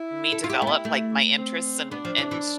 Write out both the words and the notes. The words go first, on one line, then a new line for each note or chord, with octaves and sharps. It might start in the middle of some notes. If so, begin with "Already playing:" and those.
me develop like my interests and and
Already playing: E4
A4
F4
G4
A3
B3
A3
C4
B3 D4
F3
E3
E3